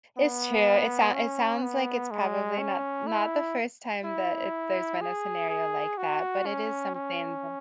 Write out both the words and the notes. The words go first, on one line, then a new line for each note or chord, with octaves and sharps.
It's true, it sound it sounds like it's probably not not the first time that it there's been a scenario like that, but it is something to
B3
C#4
B3
G#3
C#4
E4
E4
G#4
G#4
F#4
C#4
C#4